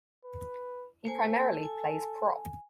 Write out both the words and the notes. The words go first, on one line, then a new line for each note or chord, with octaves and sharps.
He primarily plays prop.
B4
A#3 A4 C5 G#5
G#5